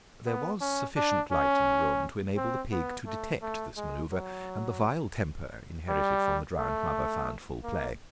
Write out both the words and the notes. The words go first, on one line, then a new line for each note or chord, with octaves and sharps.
There was sufficient light in the room to enable the pig to detect this manœuvre, and the vile temper, inherited from the drowned mother, found full play.
B3
C#4
D4
C#4
C4
B3
A3
A3
G#3
F#3
G3
A3
A#3